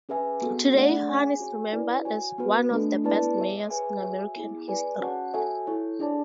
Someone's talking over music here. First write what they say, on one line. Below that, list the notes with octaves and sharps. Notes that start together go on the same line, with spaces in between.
Today, Hoan is remembered as one of the best mayors in American history.
C#4 G#4 B4 E5 G#5
B3 F#4 A4
A3 D4 G#4 D5 F#5
C#4 G#4 C#5 G#5
F#4 C#5 G#5
C#4 E4 B4 D5
F#4 C#5 G#5
B3 F#4 B4
A3 D4 A4
B3 E4 B4 D5 A5
G#4 C#5 E5
G#4 B4 E5 G#5
F#4 C#5 E5 G#5
B3 E4 G#4
G#4 B4 D5 G#5
C#4 F#4 C#5 F#5 A5
F#4 A4 C#5 E5 G#5
E4 A4 C#5
D4 G#4 D5 A5